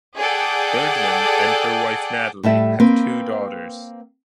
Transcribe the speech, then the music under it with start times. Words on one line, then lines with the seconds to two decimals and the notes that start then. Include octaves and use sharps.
Bergman and her wife Natalie have two daughters.
0.17 G#4 A4 D5 F#5 G5
2.43 A2 G3 A4 E5
2.80 A#3 C4 B4